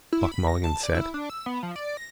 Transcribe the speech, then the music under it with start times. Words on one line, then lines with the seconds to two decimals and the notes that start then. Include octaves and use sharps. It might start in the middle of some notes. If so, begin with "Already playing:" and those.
Buck Mulligan said.
0.12 E4
0.32 B5
0.48 A#6
0.64 A5
0.83 D5
0.95 E4
1.14 D4
1.30 E6
1.46 B3
1.63 F3
1.76 D5
1.97 A#6